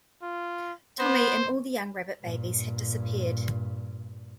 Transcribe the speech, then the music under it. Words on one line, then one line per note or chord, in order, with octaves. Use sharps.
Tommy and all the young rabbit-babies had disappeared!
F4
B3 C5
G2 A#2